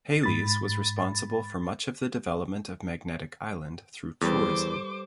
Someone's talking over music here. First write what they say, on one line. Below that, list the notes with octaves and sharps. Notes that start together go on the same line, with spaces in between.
Hayles was responsible for much of the development of Magnetic Island through tourism.
G#2 B5 A6
E2 G3 A4 B4 C5 D6